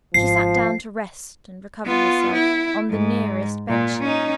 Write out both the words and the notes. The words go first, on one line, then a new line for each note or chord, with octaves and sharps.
She sat down to rest and recover herself on the nearest bench.
G#1 F3 C7
B3 F4
E4
G#2
A#2
C#4 D#4